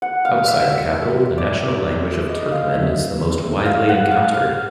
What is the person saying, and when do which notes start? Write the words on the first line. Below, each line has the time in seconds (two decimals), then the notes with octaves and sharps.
Outside the capital, the national language of Turkmen is the most widely encountered.
0.02 F#5
0.25 F5
0.48 E5
1.38 D5
2.29 D#5
2.52 F5
2.74 E5
3.65 F5
3.89 F#5
4.11 F5
4.34 F5